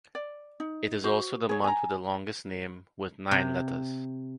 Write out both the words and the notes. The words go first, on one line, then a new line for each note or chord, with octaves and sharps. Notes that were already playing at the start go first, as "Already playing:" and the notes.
It is also the month with the longest name with nine letters.
D5
D#4
F#4 C5
G#4 C#5
G#5 A#5
C3